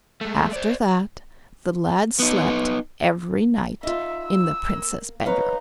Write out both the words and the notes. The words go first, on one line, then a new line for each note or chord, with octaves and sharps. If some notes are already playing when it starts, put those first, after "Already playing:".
After that the lad slept every night in the Princess' bedroom.
G#3 A3
C5 D5
B3 D#4
D#4 F4 E5
E6
A#3
D#4 B4 C#5 F5